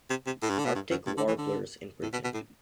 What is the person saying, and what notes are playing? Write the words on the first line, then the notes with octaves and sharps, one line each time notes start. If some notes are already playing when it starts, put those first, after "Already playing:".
Arctic warblers in Britain.
C3
C3
A2
G2
D3
B2
G2
F#2
G2
D3
E3
D3
A2
B2
B2
A2